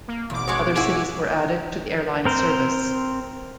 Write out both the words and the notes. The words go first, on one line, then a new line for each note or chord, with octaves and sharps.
Other cities were added to the airline service.
A#3
G#1 E2 B2 D6
G#3 F#4 C#5
E4 F#4 G#4
C4 A#4 C5